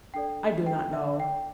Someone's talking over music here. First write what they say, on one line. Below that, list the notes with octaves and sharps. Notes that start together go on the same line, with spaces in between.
I do not know.
D4 A4 D5 G5
G5
E5
G5